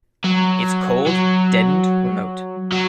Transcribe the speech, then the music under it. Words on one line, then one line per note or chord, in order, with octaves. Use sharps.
It's cold, deadened, remote.
F#3
F#3
F#3